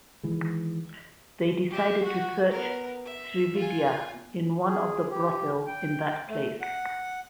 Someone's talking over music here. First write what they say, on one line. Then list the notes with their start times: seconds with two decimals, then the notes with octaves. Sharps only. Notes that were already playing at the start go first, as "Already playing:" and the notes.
They decided to search Srividya in one of the brothel in that place.
0.23 D#3 E3 G#3
1.70 G4 E5
2.02 F#4 F#5
2.50 B3 A#4
3.05 E5
3.57 F4 G#5
4.67 G#4
5.11 G4
5.67 G5
6.29 A3
6.61 F#5